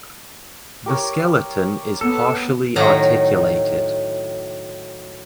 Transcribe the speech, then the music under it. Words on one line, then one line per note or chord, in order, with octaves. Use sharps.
The skeleton is partially articulated.
G4 A#4 C#5
B3 A4
A2 D#3 F#3 A#5